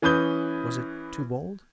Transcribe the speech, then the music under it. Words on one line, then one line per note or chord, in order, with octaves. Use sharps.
"Was it too bold?"
E3 C#4 B4 D#6 G6 G7